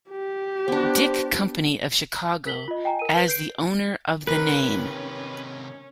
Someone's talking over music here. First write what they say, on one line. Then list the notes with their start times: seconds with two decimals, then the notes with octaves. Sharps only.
Dick Company of Chicago as the owner of the name.
0.10 G4
0.68 B3 D4 C5
2.46 A#4 B6 F#7 G7
2.68 F4 D#5
2.84 D#5 G5 G#5 A#5
2.99 A#4 D#7
3.14 B4 G7
3.28 G6 C7 D7
4.27 C3 D#3 C#4 A#4 B4